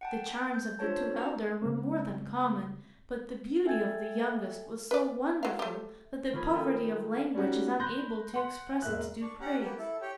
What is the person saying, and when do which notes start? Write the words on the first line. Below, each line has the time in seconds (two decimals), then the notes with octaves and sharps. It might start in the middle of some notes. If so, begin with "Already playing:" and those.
The charms of the two elder were more than common, but the beauty of the youngest was so wonderful that the poverty of language is unable to express its due praise.
0.01 F#5 G5 A5
0.54 G6
0.79 D4 F4 C5 C#5 A5
1.14 C4 D4 F#4 C5 A5 A#5
1.62 C#3 G#3 C4
3.66 A4 E5 G5 G#5 G#6 A6
4.91 B4 D5
5.43 F#3 F5
5.59 A3 G4
6.32 D#3 A#3 F4 B5 D#6 G#6
6.54 A4 A#4 D#5 G5 B5
7.34 G3 C#4 D#4 F#4 G4
7.80 B5 C6 F#6 G6 A#6
8.34 F#5 C6
8.82 E1 A#3 E5 F#6
9.22 D4 D5 C#6
9.40 C#4 G4 F#5 A#5
9.61 A#3 B3 G4
9.78 E4 A4
10.02 G4 C#5 G5